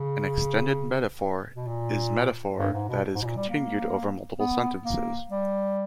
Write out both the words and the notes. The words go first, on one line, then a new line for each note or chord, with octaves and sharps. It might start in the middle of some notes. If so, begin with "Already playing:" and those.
An extended metaphor is metaphor that is continued over multiple sentences.
Already playing: C#3
B2
A#2
G2
G#2
B2
G#2
B2
A#2
G3
A#3
B3
A#3
G3